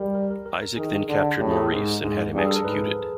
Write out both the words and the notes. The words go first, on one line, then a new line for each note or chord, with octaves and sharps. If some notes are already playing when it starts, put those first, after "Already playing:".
Isaac then captured Maurice and had him executed.
Already playing: G3 A#4
A#4
A#4
A#4
A#4
D#3 G#4
D3
A2 G4
G#4
A4
G#2 A#4
G#2
G2 G#4
A4
A#4
G#2 B4